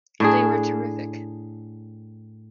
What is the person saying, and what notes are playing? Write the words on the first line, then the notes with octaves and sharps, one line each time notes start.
They were terrific.
A2 D4 G#4